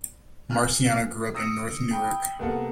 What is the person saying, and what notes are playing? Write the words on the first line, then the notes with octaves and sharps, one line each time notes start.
Marciano grew up in north Newark.
G#5 F6 F#6
D#6 E6 A#6 C#7 D7
G5 B5 D#6
C2 A#3 B3 A4 A#4 F#5